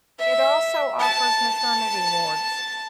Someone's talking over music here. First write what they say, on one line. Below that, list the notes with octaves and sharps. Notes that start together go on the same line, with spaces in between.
It also offers maternity wards.
E5
A5